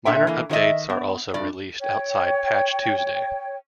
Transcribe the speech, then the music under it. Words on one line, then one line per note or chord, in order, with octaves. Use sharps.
Minor updates are also released outside Patch Tuesday.
A#2 D4 A4 E5 G5
E3 A#3
D#3 F#3 C5 D#5 E5
B3
G2 D5
C#5 G5